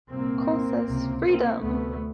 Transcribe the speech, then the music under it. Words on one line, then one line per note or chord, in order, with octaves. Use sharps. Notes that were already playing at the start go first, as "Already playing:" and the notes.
Cole says, Freedom!
C2 A#2 A#3 C4
C#2 C3
A#3 C4
D2 C3 A3 B3